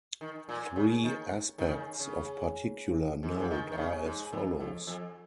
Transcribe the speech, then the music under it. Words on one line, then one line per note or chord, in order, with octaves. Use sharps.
Three aspects of particular note are as follows.
D#3
A#2
C#3
D#3
D#3
C#3
D#3
C#3
G#2
F2
G#2
D#3
D#3
C#3
G#2
F2
F2
F2